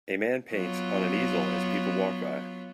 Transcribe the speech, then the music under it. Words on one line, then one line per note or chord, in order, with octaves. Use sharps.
A man paints on an easel as people walk by.
F#3 B3 F4